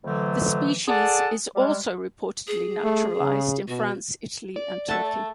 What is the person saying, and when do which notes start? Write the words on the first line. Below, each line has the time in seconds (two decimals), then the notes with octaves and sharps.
The species is also reportedly naturalized in France, Italy and Turkey.
0.04 F2 D3 E3 F#3 A3
0.88 G#4 A4 D5 F#5 A5
1.56 G3 G#3
2.47 G#4
2.84 A3
3.21 C#3
3.68 B2 F#4
4.56 D5
4.88 A3 E5 F#5 A5
5.04 A4